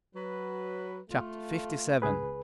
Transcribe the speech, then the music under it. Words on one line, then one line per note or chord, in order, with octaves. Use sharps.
Chapter LVII.
F#3 B4
A3 F4
C#2 G#4 B4